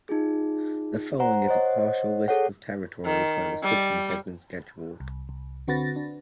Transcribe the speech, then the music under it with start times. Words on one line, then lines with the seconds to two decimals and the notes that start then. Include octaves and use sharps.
The following is a partial list of territories where the substance has been scheduled.
0.09 D#4 F4 G#4
1.20 C5 F#5 A#5
1.48 C5 C#5 D#5 F#5
2.28 G#4 A4 C#5 F#5
3.05 D#3
3.63 G3
5.00 C2
5.29 C2
5.68 D3 C4 F#4 B4 A6 A#6
5.96 D4